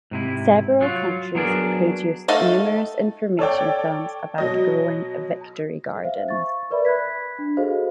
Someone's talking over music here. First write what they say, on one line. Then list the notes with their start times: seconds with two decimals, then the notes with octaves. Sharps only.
Several countries produced numerous information films about growing victory gardens.
0.11 G#2 C3 E4
0.81 F#3 F4
1.35 F#3 B3 D4 G#4 A#4
2.28 A3 D#4 A4 F5 F#5
3.39 A4 C#5 D5 G5
4.38 B2 F#3 D#5
6.04 C5 E5 F5
6.29 C#6 A6
6.70 A#4 B4 D5 E5 B5
6.85 B5 F#6 G#6 B6
7.39 D4
7.57 F#4 G#4 A4 C5 D#5 F5